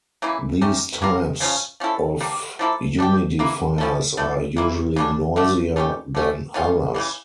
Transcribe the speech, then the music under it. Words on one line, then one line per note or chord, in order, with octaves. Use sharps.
These types of humidifiers are usually noisier than others.
C#3 E3 A#3 E4
A3 C#4 G4 A#4
A#3 D4 F4 A#4
C#3 F3 C#4 F4
F3 C#4 E4 A4
G3 A#3 D4
F3 A#3 E4 A4
G3 D4 G4
E3 A#3 E4
F3 C#4 E4 A4
D3 A3 E4 A4
E3 A#3 E4
C#3 G3 D4
D3 A3 D4
A3 C#4 E4 G4
D3 A3 C#4
D3 A3 C#4 F4
C#3 E3 G3